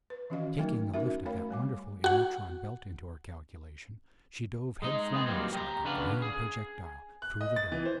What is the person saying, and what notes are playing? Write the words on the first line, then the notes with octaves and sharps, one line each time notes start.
Taking the lift of that wonderful inertron belt into her calculation, she dove headforemost, like a green projectile, through the door.
B4
D#3 E3 C#4 F#4 D#5 F5
F#3 A3 D#4 A#4
C#4 D#4 F#4 A#4 E5
A3 A#4 C#5 F5 B5
G3 G#5 D6
F#4 F#5
G#3 D#4 D#5
G#3 B3 C4 G#4
F#3 G3 A#3 C4 D#4
G4 D#5 A#5
C#3 D4 B4 F5 F#5
G#4
F#6
D#5
A6
E3
C5